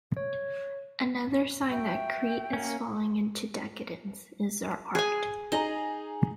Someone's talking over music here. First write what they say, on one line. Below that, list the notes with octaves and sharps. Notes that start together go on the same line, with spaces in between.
Another sign that Crete is falling into decadence is their art.
C#5
F#4 E5 G5
A#3 C#4
G#4 G#5
D#4 G#4 D#5 A#5